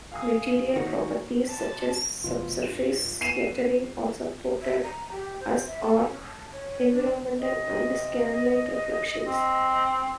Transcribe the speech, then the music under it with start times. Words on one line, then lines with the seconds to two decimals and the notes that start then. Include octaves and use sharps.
Material properties such as subsurface scattering are supported as are environmental and scan-line reflections.
0.12 F5 G#5 D#6
0.76 D#3 A#3 F#4 C#5
1.50 A5
2.24 F1 B2 F3 F4
2.65 G2
3.21 B3 C7 D#7 E7
4.62 E5
4.83 A#5
5.12 G4
5.40 C5
5.67 E5
5.81 A4
6.08 C#4
6.27 A5
6.52 C#5
6.92 D4
7.39 C3 D#5
9.26 C4